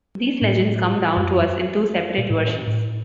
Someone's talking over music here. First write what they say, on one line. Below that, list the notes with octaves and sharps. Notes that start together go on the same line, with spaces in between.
These legends come down to us in two separate versions.
A2
F#2
A#2
A2
A2